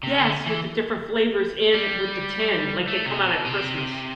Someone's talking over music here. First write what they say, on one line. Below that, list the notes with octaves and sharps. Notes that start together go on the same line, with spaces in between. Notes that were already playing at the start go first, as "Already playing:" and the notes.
yes, with the different flavors in, with the tin, like, they come out at Christmas.
C3
D3
E3
G3
A3
C3
B2
C3